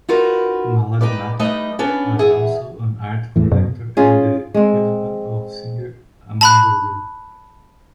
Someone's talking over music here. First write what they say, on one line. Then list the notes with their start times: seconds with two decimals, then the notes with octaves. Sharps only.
Malagnac was also an art collector and the husband of singer Amanda Lear.
0.09 D#4 F4 F#4 A#4 B4
1.01 D#4 G4 B4 D5
1.39 G3 A3 D#4 B4 D#5
1.79 B3 C#4 D4 B4
2.19 E2 G#4 E5 F#5
3.36 E2 A2 E3
3.52 F#2 B2
3.97 C#4 F4 G#4
4.54 G#3 C4
6.41 A5 B5 F#6